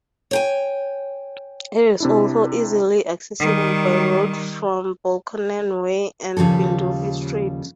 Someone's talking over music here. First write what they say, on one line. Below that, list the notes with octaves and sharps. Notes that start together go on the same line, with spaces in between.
It is also easily accessible by road from Belconnen Way and Bindubi Street.
C#5 G5 G#5
C3 D4 E4
D#3 G3
D#2 C#3 F3 G3 A4